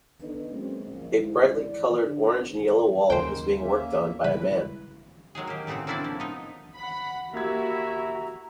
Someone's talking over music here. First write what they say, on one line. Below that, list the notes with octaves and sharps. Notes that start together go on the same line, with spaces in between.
A brightly colored orange and yellow wall is being worked on by a man.
B3 D4 D#4 A4 B4
F#3 G#3 A#3 C4 C#4
A#1
G#2 E4
D5
D3
D#2 C#3 F#3 C#4 D#4 A#4 C5 G5
A#3 C#4 E5
C#3 G3 G#3 E4 B4
D#3 F#3 G#3 G#4
A#3 G4
A2 C#3 B3 C4 F#5
A#3 C4 D4 E4 F#4 D5
F3
B3 D#4
F#5 B5
A#3 E4 F#4 G4 E5 A#5 G#6